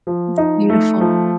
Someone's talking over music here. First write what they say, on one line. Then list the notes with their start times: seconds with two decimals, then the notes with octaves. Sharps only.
It's beautiful.
0.07 F3
0.38 D#4
0.69 A3
1.01 F3